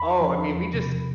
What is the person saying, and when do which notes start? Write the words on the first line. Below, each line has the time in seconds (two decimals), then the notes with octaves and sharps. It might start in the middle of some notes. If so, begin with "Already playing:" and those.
oh, I mean, we just
Already playing: E2 B5
0.21 F3
0.47 E2
0.74 C3